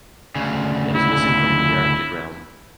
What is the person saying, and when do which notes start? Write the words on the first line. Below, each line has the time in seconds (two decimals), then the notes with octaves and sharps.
It is missing from the Nearctic realm.
0.35 D2 C#3
0.95 E4